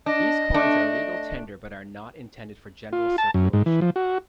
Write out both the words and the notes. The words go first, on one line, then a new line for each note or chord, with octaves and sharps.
These coins are legal tender but are not intended for general circulation.
D4 D#5
A3 D4
F4
A5
F#2
G#2
E3
F3
F#4